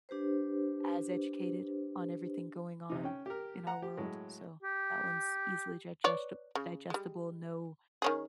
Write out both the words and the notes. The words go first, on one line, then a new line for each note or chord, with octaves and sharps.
as educated on everything going on in our world. So, that one's easily gigesta digestible, no,
D4 G4 B4 C5
C3 D#4
C#4 G5
G4 A#4
F#5 A#5
G4
A2 F#3 G#3
G4
B4 C#5 D5
C#3
G3 G#3
D#3 C#4 G#4